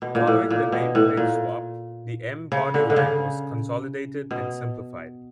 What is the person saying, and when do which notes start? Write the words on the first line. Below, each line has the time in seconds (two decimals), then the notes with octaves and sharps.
Following the nameplate swap, the M-body line was consolidated and simplified.
0.02 B2
0.15 A#2
0.27 A2
0.50 A#2
0.72 B2
0.95 A2
1.17 A#2
2.52 C#3
2.74 D3
2.90 D3
2.96 C#3
4.31 B2